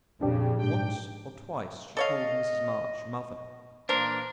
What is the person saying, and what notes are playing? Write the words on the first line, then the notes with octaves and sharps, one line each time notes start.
Once or twice she called Mrs. March "Mother."
A#1 F2 C#3 D4 G4
G#2 G5
A4 C#5 D#5 F5
A#2 E3 A#3 D4 A#4 C5